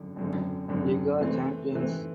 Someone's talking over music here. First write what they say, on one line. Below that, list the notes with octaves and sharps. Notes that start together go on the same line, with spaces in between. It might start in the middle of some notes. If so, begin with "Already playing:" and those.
Liga champions.
Already playing: G#1 F#2 D3
G#1 F#2 D3
G#1 F#2 D3
C3 E3 A3 C4
C3 E3 A3 C4